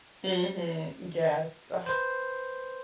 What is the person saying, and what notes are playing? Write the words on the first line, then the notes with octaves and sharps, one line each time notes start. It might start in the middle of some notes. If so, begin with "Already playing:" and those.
Mhm, yes, ugh,
B4 C5